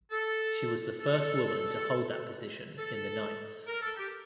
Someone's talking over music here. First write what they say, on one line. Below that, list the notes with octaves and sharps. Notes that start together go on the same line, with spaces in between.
She was the first woman to hold that position in the Knights.
A4
A4
A4
A#4
A4
G4